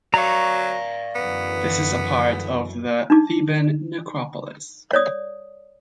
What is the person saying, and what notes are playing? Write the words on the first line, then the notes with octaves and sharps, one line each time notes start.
This is a part of the Theban Necropolis.
F#3 D5 F5 A#5 C#6
F#2 D3 E3 B3
D4 D#4 D6
C#5 D5 D#6